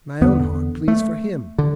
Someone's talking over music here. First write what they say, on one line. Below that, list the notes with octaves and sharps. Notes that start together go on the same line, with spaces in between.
My own heart pleads for him.
E2 D3 B3
A3
D3